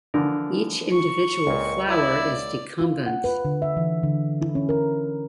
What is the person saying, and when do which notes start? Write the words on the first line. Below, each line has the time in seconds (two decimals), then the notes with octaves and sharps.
Each individual flower is decumbent.
0.14 D3 E3 F3 A#4
0.93 C#6
1.47 C#2 A#2
1.88 E4 D5
2.80 F4
3.06 F#5
3.24 B4
3.45 D3
3.62 E5
3.77 E3
4.03 D3
4.42 E4
4.55 C#4
4.69 A#4